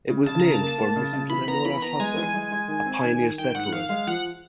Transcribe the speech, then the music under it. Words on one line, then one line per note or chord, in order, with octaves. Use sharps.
It was named for Mrs. Lenora Hauser, a pioneer settler.
C#3
C#3 A5
C#3 A#5
A5
A#3
A#3
C#3
C#3
E3 B5
B3 A#5
E3 B5
B3 A#5
G#3 G#5
E3
G#3
G#3
D#3
C4
D#3
D#3
D#3 G5
G#2 F#5
D#3 F5
G#3 F5
F3 F#5